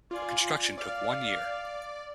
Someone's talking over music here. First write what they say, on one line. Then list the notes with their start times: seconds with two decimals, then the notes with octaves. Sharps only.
Construction took one year.
0.11 F4 D5 G#5
0.78 D5 F5